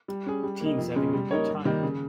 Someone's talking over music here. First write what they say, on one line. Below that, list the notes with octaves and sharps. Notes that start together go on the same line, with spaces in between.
Teens having a good time.
G3
C#4 G#4
G3
A#3 D#4
F2
C#3 G#3 C#4
G3
A#3 D#4 A#4 C#5
G2
D#3 G3 A#3
C#3